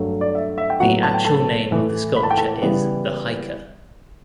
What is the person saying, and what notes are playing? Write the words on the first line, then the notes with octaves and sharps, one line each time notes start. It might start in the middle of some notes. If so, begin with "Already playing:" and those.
The actual name of the sculpture is The Hiker.
Already playing: G2 F#3 A3
D5
E5
E5
G5
A2 F#3 B3 F#4 F#5
A5
G5
A4 A5
A2 E3 A3
B5
A5
G5
A4 A5
C#3 E3 G3 B3